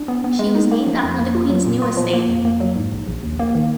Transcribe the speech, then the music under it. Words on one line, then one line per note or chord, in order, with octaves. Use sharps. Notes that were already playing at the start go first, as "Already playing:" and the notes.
She was named after the Queen's new estate.
Already playing: D4
B3
B3
G#3
D#4
A#3
F3
F2
A#3
F4
F#3
A#2
F4
F3
A#3
F2
A#3
F#3
G#2
A#1
A#1
D#2
A#3
D#3